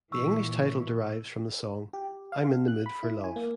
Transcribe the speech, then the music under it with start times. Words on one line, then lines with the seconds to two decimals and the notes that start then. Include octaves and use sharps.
The English title derives from the song, "I'm in the Mood for Love".
0.12 A#2 E3 C#6 E6
1.93 G4
2.32 F5
2.68 F#6
2.86 B5
3.03 E4
3.24 G#5
3.36 A#3